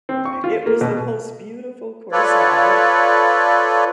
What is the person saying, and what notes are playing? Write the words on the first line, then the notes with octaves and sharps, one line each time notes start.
it was the most beautiful corsage,
C4
C#6
F4
A#3
B2
F4 A4 B4 C#5 D5